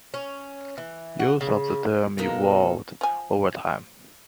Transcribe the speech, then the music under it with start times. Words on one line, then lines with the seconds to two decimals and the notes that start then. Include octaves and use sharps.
Use of the term evolved over time.
0.14 C#4
0.78 E3
1.19 F#4
1.41 C#3
2.18 B2 G#3 A#3 D#4 A4 A#4
3.01 F3 G#5